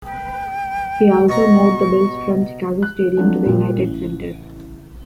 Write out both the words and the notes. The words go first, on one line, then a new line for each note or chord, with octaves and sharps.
He also moved the Bulls from Chicago Stadium to the United Center.
G5
B2 A#5 C#6
F#6
F3 F#3 A3 C4 D4
A#2 G3
A1